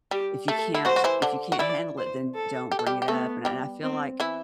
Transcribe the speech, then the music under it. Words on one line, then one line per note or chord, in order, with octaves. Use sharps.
if you can't if you can't handle it, then don't bring it up, and I I feel like,
G3 G4
A3 A4
E4
F#3 F#4 C5
F#4
E3 E4
D3 D4
F#4
E3 E4 D5
C5
A4
G4
A4
G3 G4
G4
A3 B3 A4
G3 G4
C4
E3 E4